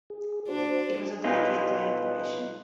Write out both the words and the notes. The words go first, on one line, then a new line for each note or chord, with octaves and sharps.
It was a delicate brain operation.
G#4
D4 F#4 C5
B2 B3 D#4 F4